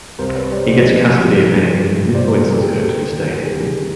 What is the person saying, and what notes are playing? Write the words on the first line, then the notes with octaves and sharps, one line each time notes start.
He gets custody of Annie and influences her to disdain Effi.
C2 A#4 C5
B4 C#5
G3 C5 D5
C5 D5
F2 C#5 D#5
F3
G2
G2
A#2 C5 D5
F#4 G#4
A#2 A#4
G4 A4
D2
D#3
G3 G#4 A#4
G3